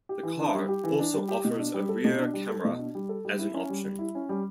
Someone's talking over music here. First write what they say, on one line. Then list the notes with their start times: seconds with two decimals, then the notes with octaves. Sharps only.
The car also offers a rear camera as an option.
0.09 G4
0.23 E3
0.39 D4
0.54 G3
0.69 G4
0.84 E3
0.99 D4
1.14 G3
1.29 G4
1.44 B2
1.59 D4
1.74 G3
1.89 A4
2.04 B2
2.19 D4
2.33 G3
2.49 A4
2.65 B2
2.79 D4
2.95 G3
3.09 A4
3.25 G3
3.39 E4
3.54 C#4
3.69 G3
3.84 G3
3.99 E4
4.15 C#4
4.29 G3